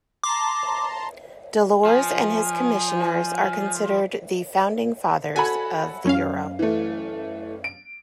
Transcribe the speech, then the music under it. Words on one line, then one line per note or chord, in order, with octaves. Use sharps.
Delors and his Commissioners are considered the "founding fathers" of the euro.
A5 A#5 C6 D6
F3 G#5
F#4 A4 G#5 B5
F#2 C#4 F5
E3 A3
D7